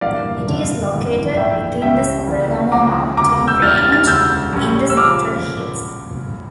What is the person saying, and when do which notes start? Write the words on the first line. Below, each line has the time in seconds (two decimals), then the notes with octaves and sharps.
It is located within the Sabaragamuwa mountain range in the central hills.
0.01 G2 E3 A#3 D4 D5 F5
0.47 G2 D3 A3 D4
0.92 G1 F2 E3
1.37 A#1 A2 E3 E5 G5
1.82 C#2 C#3 G3 C#4 E5 G5
2.27 D2 C#3 E3 A#3
2.72 C#2 C#3 F3 A#5 D6
3.17 E1 D2 C#3 A#5 D6
3.47 E6 G6
3.62 E2 E3 G3 D4 F6 A6
3.77 F6 A6
3.92 F6 A6
4.07 E1 D2 C#3 E6 G6
4.53 A#1 A#2 G3 C#4
4.90 E6
4.97 C#3 F3 D6 F6